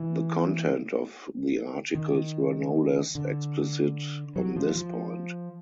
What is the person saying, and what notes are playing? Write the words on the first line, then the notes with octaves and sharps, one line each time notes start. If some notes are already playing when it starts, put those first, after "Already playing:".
The content of the articles were no less explicit on this point.
Already playing: E3
D#3
D3
F#3
F3
F3